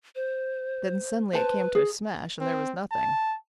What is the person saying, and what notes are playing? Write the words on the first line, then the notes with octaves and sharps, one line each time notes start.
Then suddenly it came to smash, and there was nothing.
C5
B4 C5 A5
G#4
C4
A5